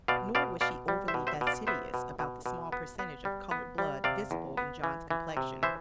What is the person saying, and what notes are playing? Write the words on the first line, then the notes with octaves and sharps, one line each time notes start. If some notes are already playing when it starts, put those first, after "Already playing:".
Nor was she overly fastidious about the small percentage of colored blood visible in John's complexion.
B2 D5 F5
B2 D5 F5
B2 D5 F5
G3
C5 E5
B2
C5 E5
B2
D5 F5
B3 C5 E5
B2
B2
B2
B3
B3
G3
B3
G3
C3 D5 F5
E2
B3
E3
E3
C3
E3 C5 E5